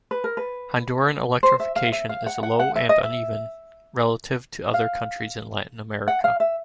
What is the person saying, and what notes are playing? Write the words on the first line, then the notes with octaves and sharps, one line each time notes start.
Honduran electrification is low and uneven relative to other countries in Latin America.
B4
A#4
B4
C5
E5
F5
E5
F5
F#5
F#5
F#5
E5
D#5
E5
F5
F#5
F5
E5